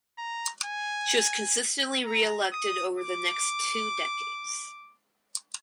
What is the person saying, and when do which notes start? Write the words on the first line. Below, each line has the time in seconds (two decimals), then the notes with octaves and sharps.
She was consistently reelected over the next two decades.
0.18 A#5
0.65 G#5
2.06 A#5
2.52 D#6
2.99 D6